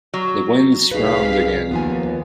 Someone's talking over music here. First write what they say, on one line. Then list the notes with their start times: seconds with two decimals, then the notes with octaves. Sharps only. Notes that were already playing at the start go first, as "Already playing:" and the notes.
The wind's round again.
0.14 F#3
0.91 C2 G3 D#4 G#4 B4 F5 B6
1.71 D#2 F3 B3 F4 G#5